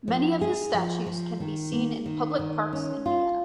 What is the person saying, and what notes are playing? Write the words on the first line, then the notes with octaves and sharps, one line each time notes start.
Many of his statues can be seen in public parks in Vienna.
F3
G#4
F3
F3
D#3
A#3
D#3
D#3
C#4
F4